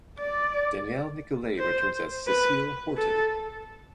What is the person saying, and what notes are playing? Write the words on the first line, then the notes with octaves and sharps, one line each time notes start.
Danielle Nicolet returns as Cecile Horton.
D5
C5
B4
A4